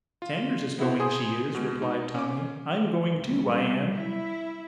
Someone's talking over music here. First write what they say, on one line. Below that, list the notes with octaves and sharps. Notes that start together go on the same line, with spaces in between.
Sanders is going, she is,' replied Tommy; 'I'm going too, I am.'
F4
B3 E4 F#4 C5
G#4 C5 D#6
B2 G#3
D#4
C#4 D6
C2
E4